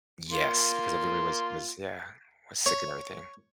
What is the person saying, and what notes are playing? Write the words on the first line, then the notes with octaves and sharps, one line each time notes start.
Yes. Because everybody was was, yeah, was sick and everything.
A#3 F4 C6
C#5